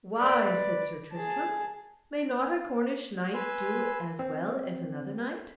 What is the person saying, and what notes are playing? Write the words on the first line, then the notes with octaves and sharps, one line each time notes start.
Why, said Sir Tristram, may not a Cornish knight do as well as another knight?
B4 D5
G#4 A5
B4 G#5 C6 E6
C4